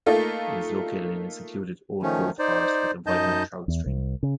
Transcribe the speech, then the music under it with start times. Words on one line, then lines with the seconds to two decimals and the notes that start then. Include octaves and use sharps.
It is located in a secluded old-growth forest with a vibrant trout stream.
0.06 A3 A#3 D#4 F4 A4
2.02 D#3 F3 A3 C#4
2.39 D#4 C5 D5
3.06 F#2 D#4 D#5 A5 G6
3.68 E2
3.86 C2
4.23 C#3